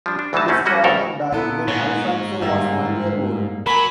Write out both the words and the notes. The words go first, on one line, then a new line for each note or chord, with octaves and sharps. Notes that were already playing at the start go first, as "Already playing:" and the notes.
His father died when Alfonso was one year old.
F3 G3 D4
D4
D2 E3 F#3 G3 D#4 A5
F#2 A3 C4 C#4
G3 G#3 A#3 C#4 F#4 D#5
D2 G2 C#3 A4 A#4
A#2 B3 E4 A4
G#2 C#5
G2 G3 A#3 G#4 E5
F#3 A#4 G#5 B5